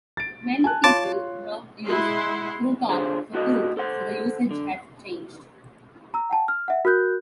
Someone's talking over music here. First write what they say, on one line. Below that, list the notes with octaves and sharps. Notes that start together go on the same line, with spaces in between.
Many people now use crouton for croute, so the usage has changed.
A6 D7
G#5 A5 F#6
F4 C#5 A5 C6 D6 A6
G#3 E4 F#5 C6
D3 F4 G#4 C5
A2 F#4 A4 D#5
A4 C5 F#5
D3
A#5 E6
F#5 G5 A5
F6
E5 F#5
F#4 A#4 F#6 G6